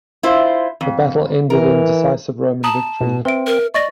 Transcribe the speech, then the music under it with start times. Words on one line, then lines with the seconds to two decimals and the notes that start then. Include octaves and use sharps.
The battle ended in decisive Roman victory.
0.23 E4 F4 C5
0.81 F2
1.50 E3 A#4
2.64 A5 A#5 D#6 F#7
3.01 B2
3.25 C4 B4 E5 D7
3.47 A#4
3.74 D5 D#5 C#6 A6 A#6